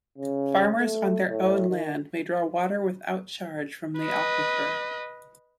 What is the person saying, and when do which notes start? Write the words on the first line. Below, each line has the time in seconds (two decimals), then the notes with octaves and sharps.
Farmers on their own land may draw water without charge from the aquifer.
0.18 C#3
0.79 A3
1.29 A2
1.69 D#3
4.00 B4 D#5